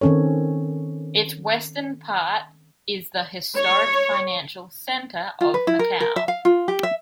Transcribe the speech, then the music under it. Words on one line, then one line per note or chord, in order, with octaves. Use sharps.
Its western part is the historic financial centre of Macau.
D#3 C4 C#4 A4 C#5
C#5
F4
B4
E4
A#4
A#4
E5
F5
F4
G4
E5